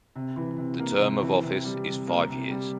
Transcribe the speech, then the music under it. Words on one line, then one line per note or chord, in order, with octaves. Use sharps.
The term of office is five years.
C3
E3
C3
A#3
C3
E3
C3
G3
C3
A#3
C3
G3